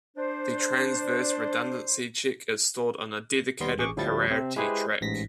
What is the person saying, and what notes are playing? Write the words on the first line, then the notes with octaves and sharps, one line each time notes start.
The transverse redundancy check is stored on a dedicated "parity track".
D4 C5
D#2 G3 B3 C6
A1 G#4 C#6 D6
D2 A2 F3 G3 E4 A6
C3 C4
G#3 E4 G4 G#4 B4 C5
A1 G#2 A#6 B6